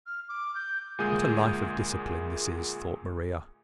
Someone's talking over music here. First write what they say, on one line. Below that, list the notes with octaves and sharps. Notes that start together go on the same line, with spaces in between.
"What a life of discipline this is!" thought Maria.
F6
D6
G6
D2 A#2 G#3 G#4 D#6 G6